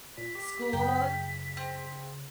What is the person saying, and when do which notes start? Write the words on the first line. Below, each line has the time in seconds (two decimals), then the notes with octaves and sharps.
school and all that
0.17 A#2 B6
0.35 G4
0.73 F#2 C#3 G5
1.57 C4